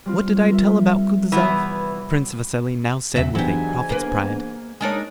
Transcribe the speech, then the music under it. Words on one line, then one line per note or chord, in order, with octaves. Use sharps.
"What did I tell about Kutuzov?" Prince Vasili now said with a prophet's pride.
G3 C4 F4
A#4 E5
F1 E3 B3
E2 C#3 F#3 E5
G#2 E3 F#3 B3 D4 G4 G#5
A#3 B4
G#3 D4 D#4 A#4 C#5 G#5